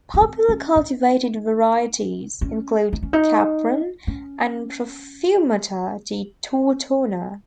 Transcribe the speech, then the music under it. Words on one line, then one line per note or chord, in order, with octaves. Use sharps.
Popular cultivated varieties include 'Capron' and 'Profumata di Tortona'.
C#4
C4
C#4
D#4
C#4
D#4
C#4
D#4
C#4